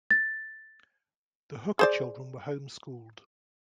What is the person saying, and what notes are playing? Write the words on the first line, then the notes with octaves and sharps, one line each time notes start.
The Hooker children were home-schooled.
A6
G#4 C5 D5